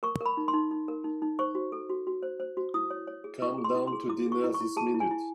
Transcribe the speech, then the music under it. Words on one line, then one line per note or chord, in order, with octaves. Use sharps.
Come down to dinner this minute.
A#4 C#6
A#4
B5
D#4
C6
D#4
D#4
A#4
D#4
D#4
C5 C#6
F#4
A4
F#4
F#4
C5
C5
F#4
E4 D#6
C#5
C#5
G#4
E4 C#6
G#4
C6
E4
C6
G#4
E4 D6
G#4
C#6
E4
C#6
E4
G#4 A5
E4
G#5
E4